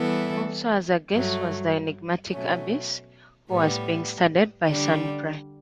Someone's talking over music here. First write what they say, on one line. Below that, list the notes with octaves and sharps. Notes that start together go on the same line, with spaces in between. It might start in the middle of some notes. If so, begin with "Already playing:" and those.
Also as a "guest" was the enigmatic Abyss, who was being studied by Sunpyre.
Already playing: E3 G3 B3 E4 A4
G2 F#3 A3
B2 F#3 A3 C#4
A2 G3 B3
D3 G3 D4